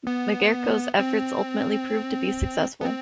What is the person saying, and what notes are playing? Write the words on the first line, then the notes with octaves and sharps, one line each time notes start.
Magerko's efforts ultimately proved to be successful.
B3
C4
B3
C4